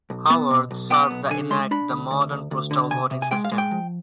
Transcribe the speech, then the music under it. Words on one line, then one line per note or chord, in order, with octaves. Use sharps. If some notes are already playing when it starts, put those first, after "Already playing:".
Howarth served to enact the modern postal voting system.
B1
B3
B2
B1
B3 G5
B1
D3 G#5
G#3 C6
D4 B5
D2
D2
D2
D2
D3
C3 G#5
C3
G#5
G#3 G5
F5
G#3
G5
F3